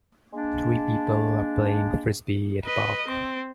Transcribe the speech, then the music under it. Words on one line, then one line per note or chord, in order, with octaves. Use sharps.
Three people are playing frisbee at a park.
G#3 A#3 D4
B4 D#5
C4